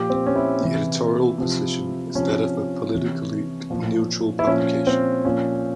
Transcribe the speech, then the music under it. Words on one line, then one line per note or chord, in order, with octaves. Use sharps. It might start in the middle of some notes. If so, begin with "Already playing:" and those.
The editorial position is that of a politically neutral publication.
Already playing: A#2 F3 G4
C4
C#4
E4
C3 E3
C3 F3
C3 F3 C#4
C3 E3
A#2 F3
E4
A#2 F3 C#4
C4
A#2 F3 C#4